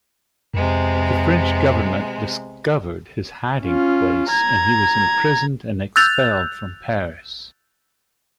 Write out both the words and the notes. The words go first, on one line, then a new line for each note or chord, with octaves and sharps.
The French government discovered his hiding-place, and he was imprisoned and expelled from Paris.
F2 C3 G#3 B3
C#4 F4
A#5 G#6
E6 F#6 G6 A6 F7